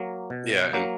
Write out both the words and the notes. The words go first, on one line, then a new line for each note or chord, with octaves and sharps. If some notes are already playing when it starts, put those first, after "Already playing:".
Yeah, and
Already playing: F#3 A#3
B2
F#3 A#3